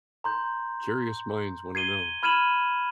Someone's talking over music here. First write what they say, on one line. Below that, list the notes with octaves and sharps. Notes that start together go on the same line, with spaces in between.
curious minds want to know.
A#5 C6 G6
G#6 C7 D#7 G7
B5 F6 G#6 D#7 E7 F#7